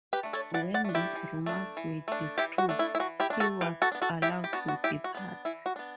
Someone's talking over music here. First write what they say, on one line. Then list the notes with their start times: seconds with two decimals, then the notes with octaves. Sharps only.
When these rumors were disproved, he was allowed to depart.
0.13 G4 B4
0.23 A3 D4
0.33 A4 C#5
0.54 E3 D5 F#5
0.74 D5 F#5
0.84 A3 D4
0.95 E4 G4
1.15 E3
1.46 A3 D4
1.77 E3
2.08 A3 D4
2.38 E3 E4 G4
2.58 F#4
2.69 A3 D4
2.79 E4
2.95 E4
3.00 E3 F#4
3.20 E4 G4
3.30 A3 D4
3.40 F#4 A4
3.61 E3 G4 B4
3.82 F#4 A4
3.92 B3 D4
4.02 F#4 A4
4.22 E3 E4 G4
4.44 G4
4.53 B3 D4 F#4
4.68 F#4
4.84 E3 E4 G4
5.04 F#4
5.15 B3 D4
5.45 E3 E4
5.66 F#4
5.76 B3 D4